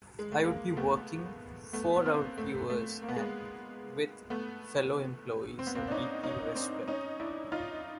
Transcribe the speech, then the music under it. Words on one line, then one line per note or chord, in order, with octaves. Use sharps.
I would be working "for our viewers", and "with" fellow employees I deeply respect.
G#3
A3
G#3 A#3
A3 B3
A3 B3
B3
A#3 C4
A3
A3
A#3
B3
G#3 A#3
A3 B3
C4
B3
A#3 C4
D4
C#4 D#4
C#4 D#4
C4 D4
C#4 D#4
D4 E4
D#4 F4